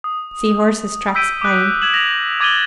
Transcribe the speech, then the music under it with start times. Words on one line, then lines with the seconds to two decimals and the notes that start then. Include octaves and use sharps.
See horse's tracks plain.
0.04 D#6
1.15 E6 G6 B6 D7 D#7
1.41 D6 D#6 F#6
1.82 G#6 E7 F#7
1.94 A#6 F7
2.40 D6 G#6 A6 D#7 F#7 G7